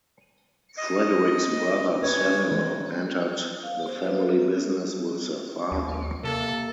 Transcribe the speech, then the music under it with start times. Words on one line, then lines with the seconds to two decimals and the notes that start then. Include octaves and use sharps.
Frederick's brother Samuel entered the family business with their father.
0.78 D#5
2.02 C#4 B4 C#5
2.51 E3 G#3 C5
3.63 F5
3.87 C5
4.04 B4
4.21 A4
5.72 D#2
6.24 C3 A#3 A4